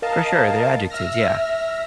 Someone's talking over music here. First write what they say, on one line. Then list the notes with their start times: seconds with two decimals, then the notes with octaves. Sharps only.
For sure, they're adjectives, yeah.
0.02 A#4 D#5 F5 A5
0.90 E5 E6 F6 A#6